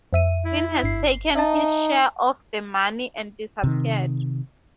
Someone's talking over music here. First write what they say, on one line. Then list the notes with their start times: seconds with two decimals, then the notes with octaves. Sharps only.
Finn has taken his share of the money and disappeared.
0.13 F2 E5 D#7
0.45 E4
0.83 G1 C7
1.35 D#4 E5 A5
3.64 C3 D#3